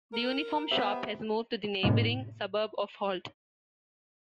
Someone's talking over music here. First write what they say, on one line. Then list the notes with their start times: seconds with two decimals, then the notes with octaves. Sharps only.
The Uniform Shop has moved to the neighbouring suburb of Holt.
0.13 A#4
0.71 B3 G4 C5 E5
1.83 F#2 A2 C3 G#3 A#3 B3